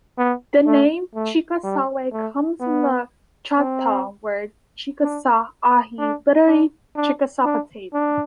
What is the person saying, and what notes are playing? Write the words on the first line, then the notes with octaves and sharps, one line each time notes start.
The name "Chickasawhay" comes from the Choctaw word "chikashsha-ahi", literally "Chickasaw potato".
B3
A3
A3
G3
A3
B3
C4
D4
D4
D4
D4
D4
D4